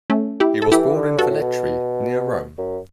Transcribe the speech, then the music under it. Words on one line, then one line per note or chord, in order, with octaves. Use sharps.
He was born in Velletri, near Rome.
A3 C#4
E4 G4
A4
E3 E4 G4
D3
G2 F#4 A4
A2
B2
F#2